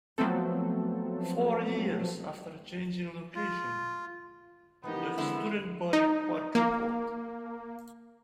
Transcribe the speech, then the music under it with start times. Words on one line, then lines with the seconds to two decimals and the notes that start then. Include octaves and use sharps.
Four years after changing locations, the student body quadrupled.
0.18 F3 F#3 A3 B3 C4 A4
3.35 F4
4.84 E3 F3 A#3 B3 D#4 G4
5.18 D3 G#3 C4 E4
5.93 D#4
6.55 A#3